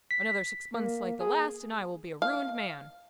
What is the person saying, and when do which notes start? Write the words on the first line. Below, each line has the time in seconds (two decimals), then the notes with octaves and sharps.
Another six months like the last and I will be a ruined man.
0.11 B6
0.74 A#3
1.21 G#4
2.22 F5